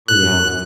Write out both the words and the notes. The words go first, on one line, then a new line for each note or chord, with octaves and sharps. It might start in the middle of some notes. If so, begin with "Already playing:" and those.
Oh, yeah.
F#6